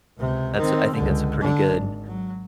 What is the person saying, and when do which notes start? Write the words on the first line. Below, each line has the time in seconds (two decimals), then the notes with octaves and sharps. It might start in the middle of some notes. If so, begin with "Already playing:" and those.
That's I think that's a pretty good
0.18 C#2 C3
0.57 D#3 C4
0.94 C#2 D3
1.41 D3 D4
1.73 G#1
2.07 F#3